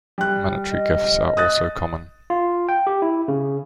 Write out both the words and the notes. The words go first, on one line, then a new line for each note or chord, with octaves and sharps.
Monetary gifts are also common.
G3 F#6
D#5
D#6 F#6 A6
F4
G5
G4
E4
C#3